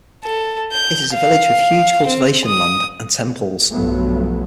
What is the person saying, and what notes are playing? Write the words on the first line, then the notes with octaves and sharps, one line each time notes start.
It is a village with huge cultivation land and temples.
A4
G6
F5
C4
D#6
B1 G2 F3 F#3 A3 B3